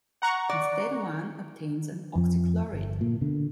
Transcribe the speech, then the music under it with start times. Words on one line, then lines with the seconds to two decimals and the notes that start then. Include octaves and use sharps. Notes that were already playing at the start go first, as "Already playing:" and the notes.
Instead one obtains an oxychloride.
0.22 F#5 A#5 C#6
0.49 D5
2.15 F2 F3
2.73 G1
3.01 A#2
3.21 B2 D3